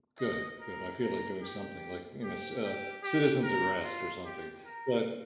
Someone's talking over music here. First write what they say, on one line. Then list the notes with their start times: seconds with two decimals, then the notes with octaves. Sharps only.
Good, good. I feel like doing something like, you know c uh, citizens arrest, or something, but,
0.19 D#5
0.60 A#4
1.01 A#4
1.42 G4
2.22 G4
2.63 G4
3.03 G4
3.43 A#4
3.84 F4
4.25 G4
4.65 A#4